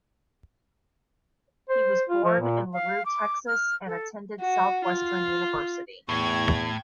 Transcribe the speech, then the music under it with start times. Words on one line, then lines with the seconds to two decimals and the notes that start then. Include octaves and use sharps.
He was born in LaRue, Texas and attended Southwestern University.
1.69 C5
2.09 F4
2.24 F3
2.40 A#2
2.73 F5
3.06 D6
3.47 F6
3.87 A4
4.40 F#4
4.84 F4
6.09 E2 A2 G5 C#6 G#6